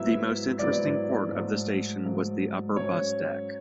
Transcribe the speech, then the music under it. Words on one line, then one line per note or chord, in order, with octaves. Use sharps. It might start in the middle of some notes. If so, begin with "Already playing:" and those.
The most interesting part of the station was the upper bus deck.
Already playing: G#2 F#3 B3 E4 E5
G#2 F#3 B3 E4 D5
G#2 F#3 A3
G#2 F#3 A3
G#2 F#3 C#4 C#5